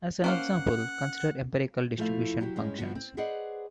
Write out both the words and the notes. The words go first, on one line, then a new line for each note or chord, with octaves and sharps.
As an example, consider empirical distribution functions.
A#3 C#4 C5 F5 F#5
F3 A3 E4 A4 F5
F#3 F#4 G4
G2 G#3 C#4
G2 F3 B3 F#4
C4
G#4 B4 C5 D5 D#5 F#5